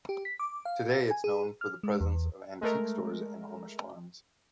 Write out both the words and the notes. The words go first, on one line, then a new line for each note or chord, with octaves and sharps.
Today it is known for the presence of antique stores and Amish farms.
G4
B6
D6
F5
G#5
G#4
F6
G#3
E2
G#3 A3 A#4